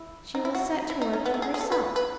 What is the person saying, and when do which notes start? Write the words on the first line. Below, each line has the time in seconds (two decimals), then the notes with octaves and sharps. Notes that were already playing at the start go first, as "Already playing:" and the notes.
She will set to work for herself.
Already playing: E4
0.35 D#4
0.45 E4
0.55 F#4
0.90 E4
1.02 D#4
1.13 C#4
1.26 B3
1.34 A3
1.42 G#4
1.54 G#4
1.61 A4
1.72 B4
1.96 B4